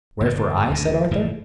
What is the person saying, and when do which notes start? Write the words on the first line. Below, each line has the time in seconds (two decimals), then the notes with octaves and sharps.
"Wherefore I?" said Arthur.
0.21 G1 G2
0.70 D1 D2 G#2 C3
1.11 F1 G#2 E3 F3